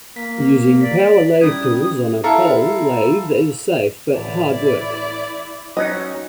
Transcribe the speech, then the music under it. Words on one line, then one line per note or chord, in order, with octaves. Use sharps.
Using power lathe tools on a pole lathe is safe, but hard work.
A#3 B6
D5 B6
G3 C#4 E4 D#6 G#6
E4 A4 F5 A#5
A1 E4 D5
F#3 C#4 D#4 D#5